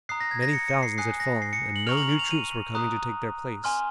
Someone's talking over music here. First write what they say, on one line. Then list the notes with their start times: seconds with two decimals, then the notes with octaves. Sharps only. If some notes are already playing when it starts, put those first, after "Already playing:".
Many thousands had fallen, and no new troops were coming to take their place.
0.09 A#5 D#6 F#6 C7
0.20 A#6
0.31 G#6
0.42 A#6
0.53 C#7
0.68 C#7
0.83 C7
0.98 G#5 D#6 F#6 C7
1.20 A#6
1.42 C7
1.53 C#7
1.76 F#7
1.87 A#5 C#6 F6 F7
1.97 F#7
2.09 F#7
2.19 F7
2.31 D#7
2.75 A#5 D#6 F#6
3.64 G#5 C6 F6